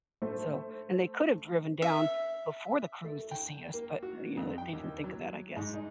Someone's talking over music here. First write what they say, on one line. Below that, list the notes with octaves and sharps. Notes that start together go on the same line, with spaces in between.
So and they could have driven down before the cruise to see us, but, uh, you know, they they didn't think of that, I guess.
A3 C5
E5
A3
G5
A#3
F#4
F2
G5
D#2
F#3
G#2
D#4